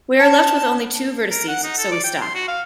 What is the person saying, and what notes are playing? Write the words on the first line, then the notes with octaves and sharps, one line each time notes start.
We are left with only two vertices, so we stop.
A5
A#4
F#5
D#4
A4
D5
G5
C6
F#4
F5